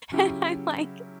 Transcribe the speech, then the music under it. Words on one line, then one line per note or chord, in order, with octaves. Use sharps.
and I'm like,
C#3 F#3 C#4 E4 G4